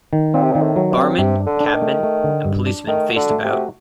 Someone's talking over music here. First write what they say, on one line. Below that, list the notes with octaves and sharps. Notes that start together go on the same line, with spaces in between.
Barman, cabman, and policeman faced about.
D#3
A#2 C4
C3
A#2
D#3
A2
F#3
G2
C4
G2 C3
D4
D3
D4
D3
D#3
A3
A3
D3
G2
D4
D#3 A3
F#4
D3
A3
C3
F#4